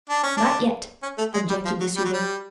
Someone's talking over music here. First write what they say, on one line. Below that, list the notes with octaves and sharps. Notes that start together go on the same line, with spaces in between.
"Not yet," objected the Su-dic.
D4
C#4
D4
C#4
A3
G#3
G3
F3
F#3
G3
F#3
G3